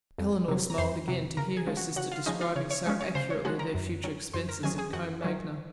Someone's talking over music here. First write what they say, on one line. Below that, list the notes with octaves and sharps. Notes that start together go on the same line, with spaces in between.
Elinor smiled again, to hear her sister describing so accurately their future expenses at Combe Magna.
F2
C3 F#3
A#5
F2 C5 C6
C3 F#3
C#3 A#4 A#5
G#4 G#5
F3 G#3 C#4
F#4 F#5
C#3 F#4 F#5
F4 F5
F3 G#3 C#4 D#4 D#5
F4 F5
C#3 C#5
C#5
F3 G#3 C#4
C#5
C#3 C5
C#5
F3 G#3 C#4 F#4 F#5
A#4 A#5
F#2
D#3 F#3 C#4
F#2 C5 C6
A#4 A#5
D#3 F#3 C#4 G#4 G#5
G#4 G#5
F#2 F#4 F#5
D#3 F#3 C#4